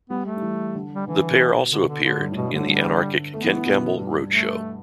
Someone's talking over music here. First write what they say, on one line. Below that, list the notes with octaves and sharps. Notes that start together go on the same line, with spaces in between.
The pair also appeared in the anarchic Ken Campbell Road Show.
G3 B3
A3
G3
E3
D3
G3
D3 E3
B2
D3
B2
D3
A2 D3
G2
A2
G2 B2
G2
D3
A2
D3 G3
A3 B3
E3
E3
B2
G2
A3